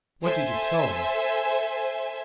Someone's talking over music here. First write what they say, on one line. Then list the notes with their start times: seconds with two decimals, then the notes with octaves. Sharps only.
"What did you tell him?"
0.23 A4 C5 E5 G#5